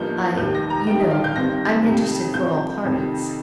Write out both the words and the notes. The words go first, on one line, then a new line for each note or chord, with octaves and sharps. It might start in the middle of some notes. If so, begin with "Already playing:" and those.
I--you know--I'm interested for all parties.'
Already playing: G1 G2 F3 A#3 D#4 G6
F1 D#2 D#3 G3 D#4 G6
A#6
A#5
G2 D#3 G3 D#4 G5
D#5
F5
G6
G1 G2 D#3 C4 A#6
F2 C3 D#3
G2 F3 C4 G6
F2 C3 D#3